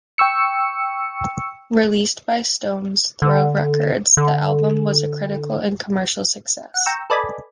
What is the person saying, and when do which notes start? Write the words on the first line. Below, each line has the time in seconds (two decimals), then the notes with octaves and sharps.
Released by Stones Throw Records, the album was a critical and commercial success.
0.18 G5 C#6 E6 C#7
3.22 D3
4.17 D3
6.74 F#5
6.86 G5 A#5 C#6 E6
7.10 A4 B4 D5 D#5 G#5 B5